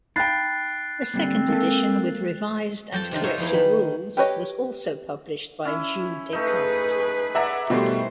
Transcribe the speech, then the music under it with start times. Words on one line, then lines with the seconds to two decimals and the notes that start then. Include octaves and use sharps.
A second edition with revised and corrected rules was also published by Jeux Descartes.
0.16 D#4 F5 G5 A#5 B5 F#6 A6 C7
1.14 D3 G3 A#3 C4
1.48 G#3 A#3 A4
2.92 F2 G5 A5
3.11 C3 D#3 D4 F4
3.23 D#4 G#4 A#4 C#5 D#5 E5
3.37 E2 E3 F3
3.53 D#3 B5
4.17 G4 B4 C#5 D#5
5.65 C#4 E4
6.33 A3 D#4 G#4 B4
7.35 D5 E5 F#5 G#5 A#5
7.70 B2 D#3 E3 G3 A3 C5